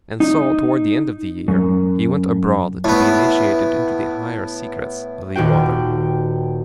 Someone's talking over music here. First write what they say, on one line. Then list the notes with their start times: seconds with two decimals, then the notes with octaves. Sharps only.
And so toward the end of the year he went abroad to be initiated into the higher secrets of the order.
0.20 D#4
1.48 F#2
2.84 A2 B3
5.35 D#1 F#4 G5